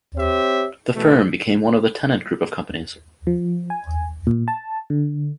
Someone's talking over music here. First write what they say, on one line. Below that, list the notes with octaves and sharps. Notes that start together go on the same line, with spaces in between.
The firm became one of the Tennant group of companies.
C4 G4 C#5 E5
B2 E3 A3
F3
G#5
A#2
A5
D3